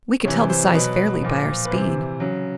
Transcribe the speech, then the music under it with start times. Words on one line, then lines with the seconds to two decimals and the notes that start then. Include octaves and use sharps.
We could tell the size fairly by our speed.
0.24 C3 C#5
0.28 E3
0.50 C5
0.74 B2 F#3 B4
1.23 A#2 F3
1.65 B4
1.71 C3 E3 C5
2.20 C#3 F#3